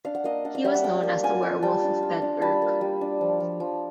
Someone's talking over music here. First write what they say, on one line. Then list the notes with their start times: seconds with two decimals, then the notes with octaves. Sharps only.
He was known as 'the werewolf of Bedburg'.
0.05 D4 F5
0.15 F#5
0.24 A#3 D#5 F5
0.45 D4 F#5
0.55 F5
0.64 G3 E5 F#5
0.74 F#5
0.84 D4 F5 G5
1.03 A#3
1.23 F4 F#5 G#5
1.43 F4
1.62 G3 G5 A5
1.83 D4
2.03 F4
2.22 D4
2.42 G3 A5 B5
2.62 A#3
2.81 G3
3.01 D4
3.21 F3
3.40 F3
3.60 F3